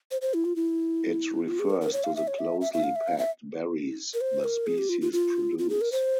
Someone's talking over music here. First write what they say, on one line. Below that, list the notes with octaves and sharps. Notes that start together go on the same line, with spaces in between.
It refers to the closely packed berries the species produce.
C5
C5
E4
F4
E4
F4
G#4
A#4
A#4
C#5
F5
E5
C#5
E5
E5
E5
F5
E5
F5
E5
A#4
C5
A#4
G#4
G4
F4
F4
F4
F4
G#4
A#4
C5